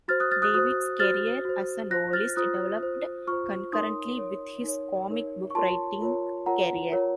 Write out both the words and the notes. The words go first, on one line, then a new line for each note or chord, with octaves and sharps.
David's career as a novelist developed concurrently with his comic book writing career.
F#4 C5 F6 A6
D#6 F#6
F6 A6
D#6 F#6
F#4 C5 D#6 F#6
F#4 C5 F6 A6
F#4 C5
F4 C5 F#6 A#6
F6 A6
F4 C5 D#6 F#6
F4 C5
F4 C5 C#6 F6
D#4 A#4 C#5 C6 D#6
D#4 A#4 C#5
D#4 A#4 C#5
D#4 A#4 C#5
C#6
F4 A#4 C#5 A5 C6
F4 A#4 C#5
F4 A#4 C#5 F#5 A#5
F4 A#4 C#5